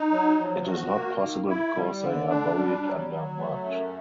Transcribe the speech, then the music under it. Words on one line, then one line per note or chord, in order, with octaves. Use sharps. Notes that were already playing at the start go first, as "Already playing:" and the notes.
It is not possible because they are buried under mud.
Already playing: D#4
F#3
F3
F#4
A#3
D#3
E4
G3
D3
D4
G3
F#3
F#3
A3
F#2